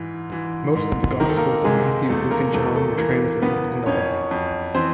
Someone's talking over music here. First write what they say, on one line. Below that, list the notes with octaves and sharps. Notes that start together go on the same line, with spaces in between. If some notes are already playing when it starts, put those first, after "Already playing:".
Most of the Gospels of Matthew, Luke and John were translated in the book.
Already playing: G#2 E3
E3
G#2
D#3 A#4
A4
A#3 A#4
C3 G#3 G#4
E2 A3 A4
A#3 A#4
E2 A3 A4
A3 A4
E3 A#3 A#4
C#3 B3 B4
F2 C#4 C#5
F2
E3 C4 C5